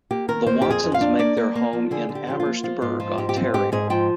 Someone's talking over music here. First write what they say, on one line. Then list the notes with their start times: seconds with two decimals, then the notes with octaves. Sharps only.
The Watsons make their home in Amherstburg, Ontario.
0.11 A#3 G4
0.28 D#3 A#4
0.47 A#3 C5
0.62 F2 G4
0.71 G#4
0.83 F2
0.94 F5
1.01 D4
1.19 A#3 D5
1.37 A#3
1.55 A#3
1.73 F3
1.91 D3 G#4
2.09 D3
2.15 G4
2.27 F3 G4
2.40 F4
2.45 A#3
2.63 F3 F4
2.81 G#2 F4
3.00 F3 F4
3.18 G#2 G4
3.29 G4
3.36 C4 F4
3.54 G#2 G4
3.72 G#2 G#4
3.90 F3 G5